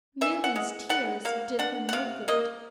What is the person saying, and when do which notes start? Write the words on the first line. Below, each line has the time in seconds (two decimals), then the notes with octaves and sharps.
Milly's tears did her no good.
0.21 E3 E5
0.44 F#5
0.56 G#3
0.89 G3 F#5
1.25 A#3 F5
1.59 D4 F#5
1.89 F#5
1.93 C3 F5
2.28 A#3 D#5